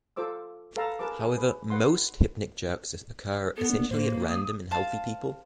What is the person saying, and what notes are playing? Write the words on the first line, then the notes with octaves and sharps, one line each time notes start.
However, most hypnic jerks occur essentially at random in healthy people.
F4 A4 C5 D6 E6
A4 B4 F5 A5 A#5
G#4 A#4 B4 A5 D6
G#4
B4
B4 F#5 C6
B3 A4
A#3 D4
A2 A#3 C5
D#6
C5 F5 A5